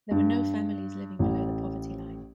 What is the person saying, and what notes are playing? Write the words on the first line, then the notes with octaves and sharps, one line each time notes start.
There were no families living below the poverty line.
G2
A1 A2